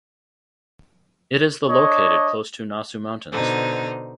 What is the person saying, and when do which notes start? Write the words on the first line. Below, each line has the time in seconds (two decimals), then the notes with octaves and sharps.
It is the located close to nasu mountains.
1.69 D4 C#5 D#5
3.32 B2 D3 D#4 C5